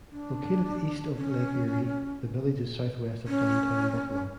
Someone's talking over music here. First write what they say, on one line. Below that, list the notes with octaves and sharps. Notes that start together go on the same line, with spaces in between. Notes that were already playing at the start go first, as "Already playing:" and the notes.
Located east of Lake Erie, the village is southwest of downtown Buffalo.
D4
C#4
C#4